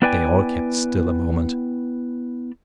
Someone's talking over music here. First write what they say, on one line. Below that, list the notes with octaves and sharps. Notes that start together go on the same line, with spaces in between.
They all kept still a moment.
B3 E4 B4 D5 G5 G#5